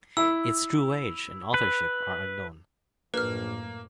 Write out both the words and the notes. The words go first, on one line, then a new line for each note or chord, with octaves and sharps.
Its true age and authorship are unknown.
E4 B5 E6
B4
A#1 F#2 A2 A#3 B4 F6